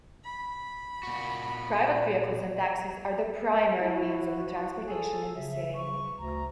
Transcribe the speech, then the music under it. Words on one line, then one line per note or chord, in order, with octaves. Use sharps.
Private vehicles and taxis are the primary means of transportation in the city.
B5
A#2 F#4
E4 F#4
G#4 A4
C#3 E5
C#6
D2 A#5